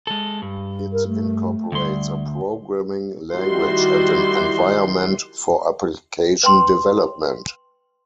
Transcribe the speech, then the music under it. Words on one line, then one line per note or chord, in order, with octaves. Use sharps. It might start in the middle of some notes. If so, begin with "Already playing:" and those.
It incorporates a programming language and an environment for application development.
G#3 A4
G2
A#4
A3
D2 G3 C6
D#3 G3 E4 F#4 G4 C6
B4 G5 B5 C6